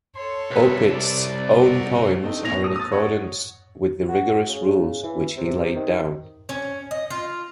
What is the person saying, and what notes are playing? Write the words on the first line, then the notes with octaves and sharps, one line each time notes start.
Opitz's own poems are in accordance with the rigorous rules which he laid down.
A4 C#5 C6
C2 B4
D5
F#4 A#4
A3 C4 D4 D#4
A2 B3 C#4 A#6 F7
D#6
D#6 A6
C#5 F#5
F#4
C#3
E3
C3
D#3
C#4
D#5
F4